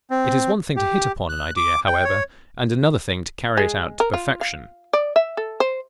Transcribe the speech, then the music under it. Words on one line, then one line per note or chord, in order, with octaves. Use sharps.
It is one thing to hit upon an idea, however, and another thing to carry it out to perfection.
C4
G4
F#6
D6
G5
C#5
G#3
A#4
F4
F5
D5
E5
A4
C5